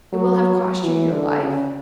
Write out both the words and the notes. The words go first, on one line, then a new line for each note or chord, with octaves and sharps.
It will have cost you your life?
F#3
F#3
E3
D3
C#3